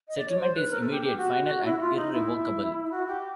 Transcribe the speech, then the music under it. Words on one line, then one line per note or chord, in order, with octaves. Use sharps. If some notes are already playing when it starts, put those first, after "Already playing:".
Settlement is immediate, final and irrevocable.
D#5
D5
C#5
C5
B4
A#4
A4
G4
G4
F#4
E4
F4
D#4
E4
F#4
G4